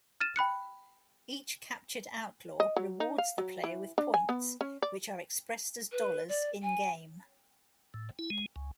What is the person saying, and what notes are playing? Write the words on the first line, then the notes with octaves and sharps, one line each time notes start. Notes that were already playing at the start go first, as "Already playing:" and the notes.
Each captured outlaw rewards the player with points, which are expressed as dollars in-game.
F6 A6 D#7 E7
G5 B5 F#6 C#7
D#5
F#3
D#4
F5
F#3
E3
D4
G#5
B3
C#4
D5
B4
D5
G#5
A2
E4
G#3
C#2